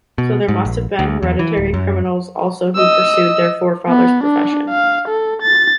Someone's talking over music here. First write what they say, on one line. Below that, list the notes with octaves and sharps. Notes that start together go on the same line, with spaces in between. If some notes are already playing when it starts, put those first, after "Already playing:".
So there must have been hereditary criminals also who pursued their forefathers' profession.
B2
G#2
A#1
D2
E2
E3
D1
F#2
D#5 E6
B3
D4
F5
A4
A6